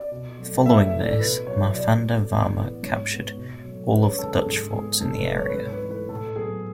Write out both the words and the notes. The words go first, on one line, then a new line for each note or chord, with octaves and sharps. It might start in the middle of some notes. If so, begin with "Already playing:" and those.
Following this, Marthanda Varma captured all of the Dutch forts in the area.
Already playing: D5
B2
F#3 A3
A2 E5
E5
E3 A3
D5
B2 B4
F#3 A3 C#5
B2 D5
A3
A2
E3 B3
G#2 C#5
G#3 B3
B2
F#3 A3
F#2 B4
C#5
D3 G#3 A4
A4
G#2 G#4
G#3 B3 G#4
G#2 A4
B4
F#3 B3
C#5
B4
G#2 C#5
B4
E3 A3
B4
A2 A4
F#3 B3 G#4